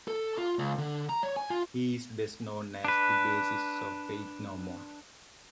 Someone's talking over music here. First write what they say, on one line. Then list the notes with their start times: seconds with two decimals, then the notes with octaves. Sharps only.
He is best known as the bassist of Faith No More.
0.08 A4
0.38 F4
0.59 C#2
0.78 D3
1.09 A#5
1.23 C#5
1.36 G#5
1.50 F4
2.85 D4 B4